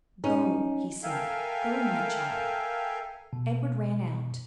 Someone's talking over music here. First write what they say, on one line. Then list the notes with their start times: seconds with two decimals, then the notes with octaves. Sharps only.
"Go," he said: "go, my child." Edward ran out.
0.24 C#4 D#4
1.03 A4 A#4 E5 F5 G5 G#5
3.33 B2